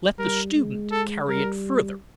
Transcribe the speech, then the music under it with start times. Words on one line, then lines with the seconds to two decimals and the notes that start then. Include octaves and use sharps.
Let the student carry it further.
0.18 G3 A#4
0.55 G#3
0.91 A4
1.28 G3 A#4